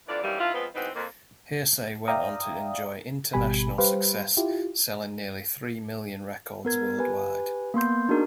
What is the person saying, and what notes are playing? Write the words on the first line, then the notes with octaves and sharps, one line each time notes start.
Hear'say went on to enjoy international success, selling nearly three million records worldwide.
F2 D3 E3 F4 D5
F#2 C3 D#3 E3 G3 F5
D#3 D4 E4 F4
F3 G#3 B3 C4 F4
E3 G#3 B3 C4 D#4 F#4
F2 A#3
D5 E5 F5 G5 A#5 D#6
G#1 B2 G3 G4 G#5 B5
G3 G4 B4 C5 F5
E4 F4 G4
B3 A#4 G#6
G4 B4 G#5
A#3 B3 C6 G6
D4 D#4 F#4 G#4 A#4